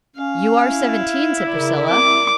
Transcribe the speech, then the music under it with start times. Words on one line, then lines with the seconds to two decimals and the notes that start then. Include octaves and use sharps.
"You are seventeen," said Priscilla.
0.16 C#4 F5
0.68 E4
1.48 C#3 A#4 D5
1.90 C4 D6